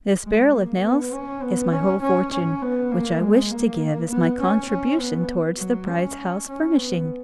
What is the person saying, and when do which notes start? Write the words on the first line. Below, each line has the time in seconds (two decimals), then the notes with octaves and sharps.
This barrel of nails is my whole fortune, which I wish to give as my contribution towards the bride's house furnishing.'
0.24 G#3
0.54 A#3
0.83 B3
1.13 C#4
1.42 B3
1.72 C#4
2.02 C#4
2.33 C#4
2.62 B3
2.92 A#3
3.21 G#3
3.51 A#3
4.10 B3
4.41 C#4
4.70 C#4
4.99 B3
5.59 F#3
5.89 C#4
6.48 C#4
6.78 B3